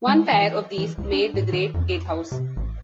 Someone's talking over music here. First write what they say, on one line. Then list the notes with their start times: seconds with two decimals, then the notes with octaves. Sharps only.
One pair of these made the great gatehouse.
0.07 G#3
0.33 E3
0.78 E3
0.98 C#2
1.12 D4
1.34 A2
1.52 D#3
1.74 F2
2.32 C3
2.56 A1